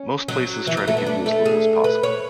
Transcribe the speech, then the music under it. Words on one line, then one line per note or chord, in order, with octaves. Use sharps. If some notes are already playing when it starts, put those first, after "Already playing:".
Most places try to give you as little as possible.
Already playing: C#4
F#3
E3
F#3
A3
B3
D4
A3
G#4
B4
C#5